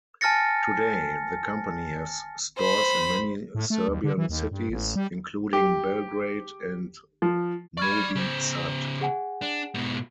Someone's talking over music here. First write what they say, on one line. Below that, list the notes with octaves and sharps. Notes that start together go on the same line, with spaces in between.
Today, the company has stores in many Serbian cities, including Belgrade and Novi Sad.
G#5 A5 F6 A6 A#6 C#7
C5 B5
A2
A3
D#2
D3
E3
D#2
G2
A1
G3
G4
F3
D5 B5 C#6 F6 G#6
C#3 C5
G#4 F#5 G#5
D4
G#2 B2